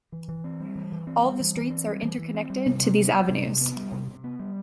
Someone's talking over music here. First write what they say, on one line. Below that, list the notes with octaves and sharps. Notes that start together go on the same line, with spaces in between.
All the streets are interconnected to these avenues.
E3
E3
C4
G3
E3
E3
C4
G3
E3
E3
C4
G3
E3
E3
C4
G3
C3
C3
B3
G3
C3
C3
B3
G3
C3
C3
B3
G3